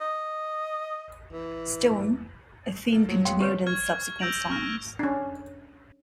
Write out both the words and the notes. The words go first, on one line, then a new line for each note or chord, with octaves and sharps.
Stone, a theme continued in subsequent songs.
D#5
E3
A#3 A4
F3 F#3
F#3 G#3 B3 F5 G5 C6
D2 C4 G4 B4 C#5
C#6 F6 G#6
E6 G6 A#6 D7 F7 F#7
C#6 F6 A#6
C#4 D4